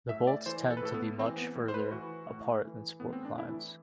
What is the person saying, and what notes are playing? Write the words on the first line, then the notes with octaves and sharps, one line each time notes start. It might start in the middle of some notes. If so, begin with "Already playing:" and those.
The bolts tend to be much farther apart than sport climbs.
A2 E5
D5
E3 C5
A4
B4
A2 A4
B3
E3 C4
B3
A2
C5
B4
E3 F#4
A2
E3
A2 B3
C4
D4
E3 E4